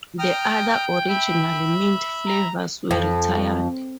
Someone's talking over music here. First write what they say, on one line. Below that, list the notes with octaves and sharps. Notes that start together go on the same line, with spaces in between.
The other original mint flavors were retired.
G5 A#5 D#6 F6
E5 B5
A#5
F2